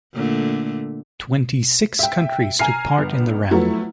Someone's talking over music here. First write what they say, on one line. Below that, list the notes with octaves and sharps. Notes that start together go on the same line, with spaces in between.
Twenty-six countries took part in the round.
A#2 D3 A3
E5 G5
G#5 A#5 F6 C7
G1
F3 F#3 A3 B3 E4